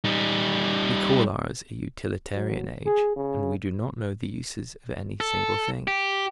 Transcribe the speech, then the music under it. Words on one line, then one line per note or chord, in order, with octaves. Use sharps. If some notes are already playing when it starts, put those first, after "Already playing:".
We call ours a utilitarian age, and we do not know the uses of any single thing.
G3 D#4
F#3
G#4
C#3
A4
G4